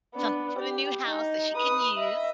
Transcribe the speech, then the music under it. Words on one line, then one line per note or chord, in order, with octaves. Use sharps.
Something for the new house that she can use.
B3 D4
G4
D#4
B4 D#6
D#5 E5